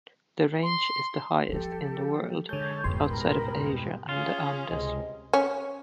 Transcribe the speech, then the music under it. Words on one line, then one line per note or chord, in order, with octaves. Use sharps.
The range is the highest in the world outside of Asia and the Andes.
C6
F3 G3 G4 A4
D3 G#3 A4 C#5 C#6 G6
A1 F2 G#2 B2 G3 C6
A#4 B5
C#4 F4 G#4
C#2 C3 G#3
C#4